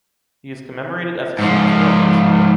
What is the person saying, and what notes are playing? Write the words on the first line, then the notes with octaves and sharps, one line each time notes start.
He is commemorated as a saint throughout Christendom.
G#2 F3